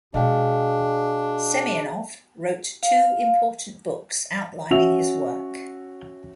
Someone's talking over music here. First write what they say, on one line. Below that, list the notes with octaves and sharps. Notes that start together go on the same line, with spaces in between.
Semyonov wrote two important books outlining his work.
B2 G#3 D4 F#4 G#4 D#5 F5 G5
F5
C#4 F#4 E5 E6 F7